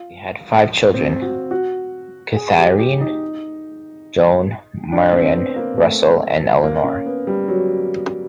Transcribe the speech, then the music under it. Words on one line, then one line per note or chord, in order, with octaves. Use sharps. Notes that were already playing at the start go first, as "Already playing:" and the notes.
They had five children: Katharine, Joan, Marion, Russell, and Elinor.
Already playing: F4
C4
F#4
F#4
G#4
G4
G4
D#4
D4
C4
B3
A#3
A3
A#3
C#4
B3
G3
F#3